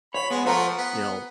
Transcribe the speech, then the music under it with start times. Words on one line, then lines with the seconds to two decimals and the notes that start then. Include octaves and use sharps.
you know,
0.14 C#5 B5
0.30 G#3 B3
0.46 F3 A3 C5 F#5 A#5
0.78 B3